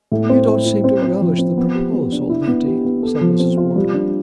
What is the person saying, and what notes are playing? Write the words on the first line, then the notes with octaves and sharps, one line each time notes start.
"You don't seem to relish the proposal, Letty," said Mrs. Wardour.
A2
C4
E4
E4
C4
C4
F3
C4
B3
G4
B3
D4
E4
B3
G4
B3
A4
F3
C4
F4
G3
D4